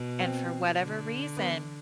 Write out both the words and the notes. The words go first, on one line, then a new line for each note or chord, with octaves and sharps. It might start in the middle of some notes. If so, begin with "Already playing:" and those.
and for whatever reason,
Already playing: B2
C4
D3
B3